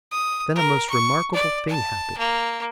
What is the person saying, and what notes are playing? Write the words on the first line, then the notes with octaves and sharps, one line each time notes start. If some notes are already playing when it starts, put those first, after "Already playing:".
Then a most remarkable thing happened.
D#6
A#4
C#6
D5
A5
A#3